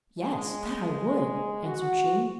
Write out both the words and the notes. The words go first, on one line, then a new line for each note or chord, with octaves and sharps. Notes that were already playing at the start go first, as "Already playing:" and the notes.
'Yes, that I would!' answered she.
G#3
F#4